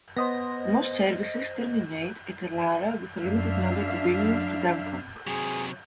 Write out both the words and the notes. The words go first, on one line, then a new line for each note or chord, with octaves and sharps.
Most services terminate at Telarah with a limited number continuing to Dungog.
B3 C5 D#5 A#6
F#2 D4 E5 F5
C3 F#3 G#4